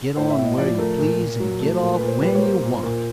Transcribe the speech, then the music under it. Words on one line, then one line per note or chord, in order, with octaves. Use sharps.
Get on where you please and get off when you want.
A2 C5
E5
A2
D#5
F3 D5
A3 A#4
A#2
A#2
F#3
A3
A#2
B4
A#2
C5
G3 B4
C#5
A#3 C5
A#2
A#2